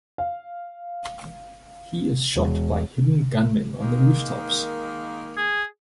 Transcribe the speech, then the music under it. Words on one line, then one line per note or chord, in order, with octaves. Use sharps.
He is shot by hidden gunmen on the rooftops.
F5
E1
D#3 G#3 A#3
G#4